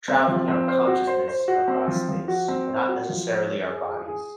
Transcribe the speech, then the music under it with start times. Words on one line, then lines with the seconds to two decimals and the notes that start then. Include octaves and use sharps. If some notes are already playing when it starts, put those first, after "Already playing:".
traveling our consciousness across space, not necessarily our bodies.
0.08 C4
0.28 F3
0.48 C4
0.68 C5
0.87 F#4
1.07 C5
1.28 C5
1.48 F#4
1.68 C4
1.88 F3
2.08 F3
2.28 F#4
2.48 C4
2.68 C5
2.88 F#4
3.09 F3
3.29 C#5
3.48 C#5
3.69 G#4
3.89 G#4
4.08 G#4